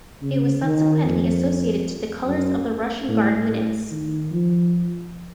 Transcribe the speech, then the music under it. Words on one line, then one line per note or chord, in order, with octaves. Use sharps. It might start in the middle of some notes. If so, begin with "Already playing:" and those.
It was subsequently associated to the colors of the Russian Guard units.
C#3
D#3
F2
F#2
A2
A2
D#3
F3